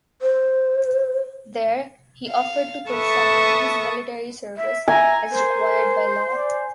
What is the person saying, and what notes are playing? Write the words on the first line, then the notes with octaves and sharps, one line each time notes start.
There, he offered to perform his military service, as required by law.
C5
F5
A4 B4 E5 A5 C#6 D#6
E5
E5 G#5 A#5
A#4 C5
D5